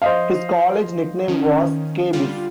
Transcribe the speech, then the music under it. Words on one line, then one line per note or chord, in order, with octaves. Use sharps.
His college nickname was Scabies.
F3 C5 D#5 F5
D#3 C#4
D3 G3 F4